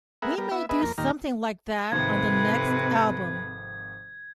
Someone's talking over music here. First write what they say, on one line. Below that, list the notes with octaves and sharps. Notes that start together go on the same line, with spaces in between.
We may do something like that on the next album.
B3 G#4 A#4 E5 F#5
G3 B3 A#4
B3 E4 E5
B3 G#4 B4 D#5 E5
F2 A#3 A#4
D#2 A#2 D#3 G4 A#5 F6
G#1 C3 D#3 F3 A4 B4 G#6